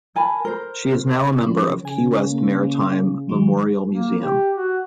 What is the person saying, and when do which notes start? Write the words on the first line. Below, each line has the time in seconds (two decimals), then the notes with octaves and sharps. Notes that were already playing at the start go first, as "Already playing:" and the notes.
She is now a member of Key West Maritime Memorial Museum.
0.16 A#4 G#5 A5 B5
0.45 A#4 C5
1.43 F3 C#4
1.85 C#3 G#5
2.30 A#3
3.29 D#3 F#3
3.92 A#3
4.22 G4
4.55 F#4